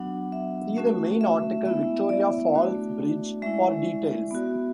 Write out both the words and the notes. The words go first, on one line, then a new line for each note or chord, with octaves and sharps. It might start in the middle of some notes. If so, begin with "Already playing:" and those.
See the main article Victoria Falls Bridge for details.
Already playing: F#3 B3 D4 F#4 F#5
E5
A3 C#4 F#4
E5
G#3 B3 E4 E5
D5
A3 D4 F#4
G#3 C#4 E4 E5
B3 F#4